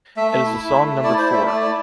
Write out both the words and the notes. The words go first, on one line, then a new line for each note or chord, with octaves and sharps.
It is the song number four.
A3 E5
A3
E4
E4
A3
A3
E4 D5
E4 C5
A3 E5
A3 D5
E4 D5